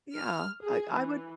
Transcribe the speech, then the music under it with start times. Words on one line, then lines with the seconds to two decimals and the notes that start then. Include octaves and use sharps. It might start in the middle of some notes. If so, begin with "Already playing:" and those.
Yeah, I I would
0.13 F6
0.63 G#4
0.94 E3